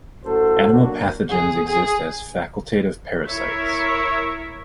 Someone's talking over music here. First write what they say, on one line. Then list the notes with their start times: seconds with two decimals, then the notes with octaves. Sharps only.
Animal pathogens exist as facultative parasites.
0.25 F#2 A2 F#4 A4 A#4 C5
0.71 F#3 A#3 D4 F#4
1.30 G#4
1.68 G#4
3.29 E4 A#4 C#5 E5